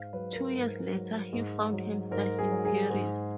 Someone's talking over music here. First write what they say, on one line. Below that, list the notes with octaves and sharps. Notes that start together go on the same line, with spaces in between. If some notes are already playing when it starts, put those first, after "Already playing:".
Two years later he found himself in Paris.
Already playing: G#2 F5
F#3 B4
A#4
G#2
F#3
G#2
F#3
G#2 A#4
G#4
F#3
G#4
G#2 G#4